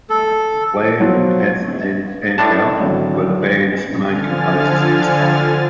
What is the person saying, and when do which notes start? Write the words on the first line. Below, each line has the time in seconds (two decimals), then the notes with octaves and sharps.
Lamm, Kath and Pankow were the band's main composers at this time.
0.10 A4
1.00 B2 F3 F#3
1.44 G#6
2.38 A2 D4 A5
2.80 G#1 D3 F#3
3.99 D3 F3 G#5 F6 A6